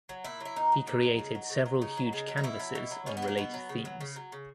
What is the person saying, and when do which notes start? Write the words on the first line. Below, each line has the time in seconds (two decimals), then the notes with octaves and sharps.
He created several huge canvases on related themes.
0.09 F#3
0.24 A#2 E4
0.40 F#3
0.45 E4
0.56 A#2 D#4
0.72 F#3
0.87 A#2
1.03 F#3
1.19 C#3
1.35 F#3
1.50 C#3
1.66 F#3
1.82 C#3 D#4
1.97 F#3
2.13 C#3
2.28 F#3
2.37 D#4
2.44 B2 E4
2.60 F#3
2.75 B2
2.91 F#3
3.06 B2 C#4
3.17 B3
3.22 F#3
3.28 A#3
3.37 B2 B3
3.54 F#3
3.69 C#3
3.85 F#3
4.01 C#3
4.16 F#3
4.32 C#3